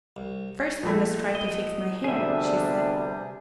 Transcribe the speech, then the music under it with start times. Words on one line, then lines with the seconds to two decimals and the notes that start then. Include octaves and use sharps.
"First I must try to fix my hair," she said.
0.16 C2
0.83 A#1 A3
1.35 D#5
2.04 D2 C3 G3 B3 D4 G#4 E5